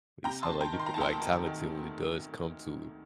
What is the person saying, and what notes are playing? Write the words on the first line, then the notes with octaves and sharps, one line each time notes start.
it sounds like you feel, like, talented when it does come to it.
C3 G5 A#5
A5 C6
C3
G5 A#5
D#3
C6
A#5
A5
D2 G5 A#5
D#3
D#3